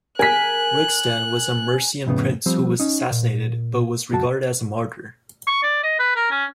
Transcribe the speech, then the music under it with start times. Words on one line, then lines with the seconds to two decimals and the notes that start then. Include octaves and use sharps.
Wigstan was a Mercian prince who was assassinated, but was regarded as a Martyr.
0.19 A#4 G#5 F#6 B6
2.06 F2 A2 C#3 B3
2.46 F3 G3 C4
2.80 C#4 D#4
3.11 A#2
4.11 C#2 F#2 F#4 A5
5.47 C#6
5.63 D5
5.83 D#5
5.99 B4
6.16 A#4
6.31 C#4